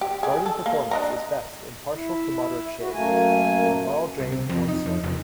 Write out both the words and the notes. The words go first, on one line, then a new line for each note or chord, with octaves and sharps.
Garden performance is best in partial to moderate shade, in well-drained moist soil.
G4
G4 G#4
A4
A#3
D4 D#5 A#5
E4
F#4
F#2 A3 A#3 G#5
C2
C3
F2
D#4
F2
F1